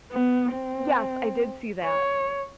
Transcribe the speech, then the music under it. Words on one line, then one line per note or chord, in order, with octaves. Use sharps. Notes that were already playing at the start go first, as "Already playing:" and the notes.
Yes. I did see that
B3
C4
C#5